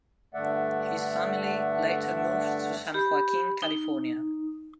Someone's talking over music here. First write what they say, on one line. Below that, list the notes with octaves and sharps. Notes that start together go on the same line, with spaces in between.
His family later moved to San Joaquin, California.
G2 D3 A3 D5 E5 F#5
G4 B5
D#4